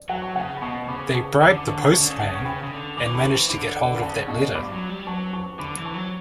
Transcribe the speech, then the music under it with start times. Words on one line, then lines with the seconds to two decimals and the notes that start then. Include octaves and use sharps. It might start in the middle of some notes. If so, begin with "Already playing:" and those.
They bribe the postman and manage to get hold of that letter.
Already playing: D5
0.09 F#3 F#5 A5
0.22 A5 C#6
0.35 C#3 F#5 A5
0.57 B5
0.62 B2 A5 C#6
0.88 C#3 B5 D6
1.14 A5 C#6
1.40 D3 B5 D6
1.58 D6
1.67 D3 A5 C#6
1.92 C#3 A5 C#6
2.01 D3
2.10 C#3
2.18 F#5 A5
2.35 C#6
2.45 C#3 G5 B5
2.64 C#3
2.71 D3
2.97 E3 D6
3.06 C#6
3.14 D3 B5
3.22 E3 A5 C#6
3.49 D3 B5 D6
3.75 D5 F#5
3.97 B5
4.02 C#3 F#5 A5
4.28 B2 A5 C#6
4.54 G2 B5 D6
4.72 F#3
4.89 G3
5.07 F#3 A5 C#6
5.33 A5 C#6
5.59 D3 B5 D6
5.77 E3
5.85 A5 C#6
5.94 F#3